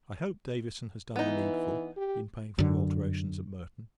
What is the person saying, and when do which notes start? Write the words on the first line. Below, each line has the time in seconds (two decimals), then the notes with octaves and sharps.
I hope, Davison has done the needful, in paying for the alterations at Merton.
1.16 E3 B3 D#4
1.97 G4
2.58 F#2 D3